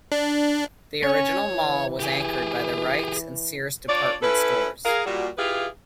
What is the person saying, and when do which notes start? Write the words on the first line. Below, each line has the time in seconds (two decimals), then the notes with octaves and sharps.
The original mall was anchored by the Rike's and Sears department stores.
0.12 D4
1.03 C#4 C#5
1.51 E3
2.00 G4 G#4
3.88 D4 F4 C#5 D5
4.22 C#4 E4 A4 B4
4.84 G#4 A#4 F5
5.05 A#2 G3 F#4
5.37 E4 F4 G4 G#4 B4 F5